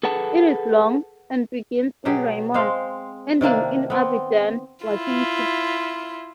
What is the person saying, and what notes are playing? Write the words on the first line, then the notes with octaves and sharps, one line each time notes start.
It is long, and begins in Raymond, ending in Aberdeen, Washington.
G#4 A4 B4 F#5 A5
B2 F#3 G4 G#4
G#3 C4 C5 F5
C3 D#3 A#3 D4
B3 C4
E4 F4